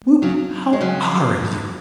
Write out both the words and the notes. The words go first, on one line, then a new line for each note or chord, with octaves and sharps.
Whoop! How are you!
C#3 F#3
G#3
C#3 F#3